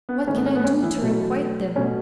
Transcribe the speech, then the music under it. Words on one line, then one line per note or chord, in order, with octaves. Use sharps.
What can I do to requite them?
B3
G#2 D#3 A3 C#4
B3
C#4
B3
C#4
E3 E4
B2 F#3 A3
B2 A3 C#4